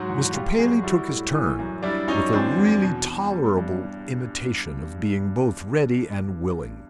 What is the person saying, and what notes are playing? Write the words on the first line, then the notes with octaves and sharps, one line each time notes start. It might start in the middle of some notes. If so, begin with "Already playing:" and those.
Mr. Paley took his turn, with a really tolerable imitation of being both ready and willing.
Already playing: G#2 F#3 F#4
E2
G3 F4 G4
F#2 F#4 G#4
G3 E4 F#4
A2
E3
F#2
G3 D4 E4
F#2 C#4 D#4
E3 C4 D4
E2
B2
B2
G3
G2